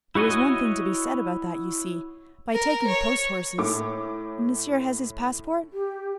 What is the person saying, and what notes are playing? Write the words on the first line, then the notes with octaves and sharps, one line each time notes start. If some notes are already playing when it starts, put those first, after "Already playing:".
"There is one thing to be said about that, you see, by taking post-horses--Monsieur has his passport?"
E4 F#4 C#5 D#5 G#5
A#4
C#5
A2 D6
G4